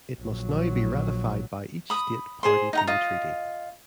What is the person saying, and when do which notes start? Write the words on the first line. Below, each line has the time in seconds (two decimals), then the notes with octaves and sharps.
It must now be ratified by each state party to the treaty.
0.20 A#1 F#3
1.90 B5 D#6
2.43 G#4 C5 C6
2.73 D#4 F#5 A#5
2.87 F4 D#5